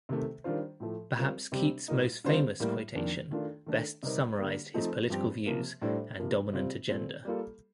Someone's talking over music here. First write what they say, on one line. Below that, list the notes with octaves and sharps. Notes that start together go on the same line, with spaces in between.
Perhaps Keitt's most famous quotation best summarized his political views and dominant agenda.
C3 D#3 A3
D#3 G3 D4 F4 C5
A2 F3 A3
G3 C4 F4 A#4
C3 G3 C4 G4
A#2 G3 A#3 D#4
D3 G3 C4 F4 C5
A2 G3 A#3
F2 D#3 A#3 D4
D#3 A3 D4 F4
D#3 A3 D4
C3 G3 C4 D#4 A#4
D3 G3 A#3
F3 A3 C4 D#4
G2 F3 C4 G4
C3 F3 A#3
A2 G3 D4 A4 C5
C3 F3 A#3
C3 G3 C4 F4
A#2 A3 C4
G3 A#3 F4 A4